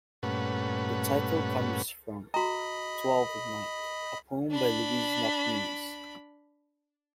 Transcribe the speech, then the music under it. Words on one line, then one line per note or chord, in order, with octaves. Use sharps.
The title comes from "Twelfth Night", a poem by Louis MacNeice.
G2 A#2 A3 C#4 B4 F#5
F#4 D#5 A#5 B5
D4 B5